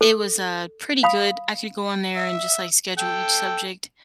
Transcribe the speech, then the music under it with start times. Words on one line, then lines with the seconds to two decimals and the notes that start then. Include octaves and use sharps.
it was, uh, pretty good. I could go on there and just like schedule each subject,
0.01 A4
1.03 F5 B5 D#6
2.16 E5
2.98 A4 G5